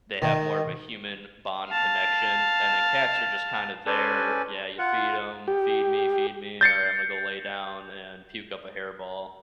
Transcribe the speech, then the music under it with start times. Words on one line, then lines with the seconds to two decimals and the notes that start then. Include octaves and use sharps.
they have more of a human bond connection, and then cats are just kind of there. Yeah, you feed 'em. "Feed me, feed me, alright, I'm gonna go lay down and puke up a hairball."
0.22 D#3
1.69 F5 A5
3.86 C#4 A4 B4 C5 D5 G#5
4.78 F4 F#5
5.48 G4
6.61 G6 A6 C7 C#7